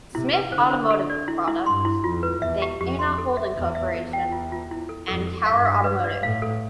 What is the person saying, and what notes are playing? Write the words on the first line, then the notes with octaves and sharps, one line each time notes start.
Smith Automotive Products, Dana Holding Corporation, and Tower Automotive.
C3 E4
B4
D3 C5
C5
A4
D5
E4
E4
G2 C6
E4
F2 F4
B4
E2 E5
G4
F2 G4
C6
A4
E5
E2 E5
E5
E2 A4
G5
F4
F4
E4
A4
F2 A4
A4
G2 F5
F5
B4
D5
A2 F5
A4